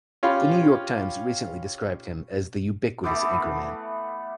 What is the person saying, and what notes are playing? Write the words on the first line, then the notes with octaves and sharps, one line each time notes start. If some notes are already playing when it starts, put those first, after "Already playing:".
The New York Times recently described him as the ubiquitous anchorman.
C#4 F4 G4 B5 C6
E3 A3 B3 D6